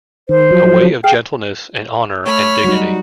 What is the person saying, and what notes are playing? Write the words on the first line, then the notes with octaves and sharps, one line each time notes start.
A way of gentleness and honor and dignity.
D#3 C5
F3 F#3
G#4 F5 G5
A3 C#5 B5 F6
F#3 G3 D#4 F#4